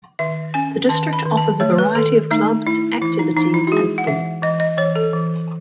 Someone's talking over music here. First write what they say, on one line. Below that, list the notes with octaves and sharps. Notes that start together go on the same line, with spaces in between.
The district offers a variety of clubs, activities and sports.
D#3 E5
C#4 G#5
D#3 A5
B5
D#3
A5
A3 C#5
B4
D#3 A4
A3 D#4
A3 E4
E3 E4
D#4
E3 D#4
E4
F#4
G#3 G#4
F#5
E3 E5
E3 D#5
D#5
E3 C#5
A4
E3